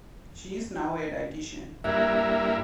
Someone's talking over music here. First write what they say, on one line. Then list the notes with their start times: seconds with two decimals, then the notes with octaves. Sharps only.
She is now a dietician.
1.84 G2 A#3 E4 E5 F#6 G#6